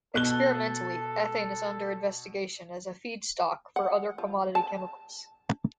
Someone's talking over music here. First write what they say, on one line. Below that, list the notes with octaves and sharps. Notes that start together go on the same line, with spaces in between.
Experimentally, ethane is under investigation as a feedstock for other commodity chemicals.
B2 A4 F#6 G7
F#5
F3
A5